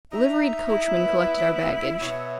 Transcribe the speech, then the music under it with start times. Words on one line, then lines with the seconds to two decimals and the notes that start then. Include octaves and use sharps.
Liveried coachmen collected our baggage.
0.12 D#4 E5 A#5
0.67 E4
0.96 B3
2.01 B2 C#5